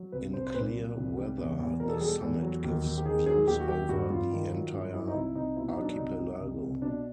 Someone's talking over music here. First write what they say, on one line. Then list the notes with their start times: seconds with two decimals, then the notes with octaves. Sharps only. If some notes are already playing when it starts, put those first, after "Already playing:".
In clear weather the summit gives views over the entire archipelago.
Already playing: F#3
0.12 C2 B4
0.34 C2 C5
0.47 C5
0.54 A#2 B4
0.76 F#3
0.96 C2
1.17 G3
1.38 E2
1.59 E2
1.80 B2 A#4
1.88 A4
1.97 G#4
2.01 G3 A4
2.22 E2
2.43 F#3
2.64 D#2
2.84 D#2
2.97 G4
3.06 D#3 G#4
3.26 F#3 G#4
3.47 D#2 G4
3.60 F#4
3.68 F#3 G4
3.89 G2 F#4
4.10 G2 F4
4.31 D#3
4.52 F#3
4.72 G2
4.93 F#3 E4
5.08 D#4
5.14 C2 E4
5.35 C2 D#4
5.56 B2 E4
5.69 D#4
5.77 F#3 D4
5.94 C2 D#4
6.19 G3
6.40 C2
6.61 C2
6.82 B2 D4